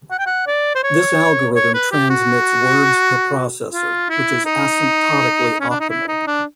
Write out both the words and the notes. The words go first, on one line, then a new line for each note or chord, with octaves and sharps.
This algorithm transmits words per processor, which is asymptotically optimal.
F#5
G5
F#5
D5
C5
C#5
C#5
B4
G4
F#4
F4
E4
D#4
C#4
D4
D#4
E4
D#4
D4